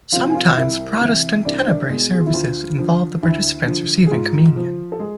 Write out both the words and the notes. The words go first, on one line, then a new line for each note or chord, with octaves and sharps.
Sometimes Protestant Tenebrae services involve the participants receiving Communion.
C3 F3 F4 F5
G#5
F4 F5
C2 E4 E5
C3 E3
C2 D4 D5
C5
D4 D5
B2 G#3 G#4
G#4
F4
E4
D2 F4
D3 F3
D2 E4
D3 F3
G#4
G#2 F4
F3
A4
G#3 G#4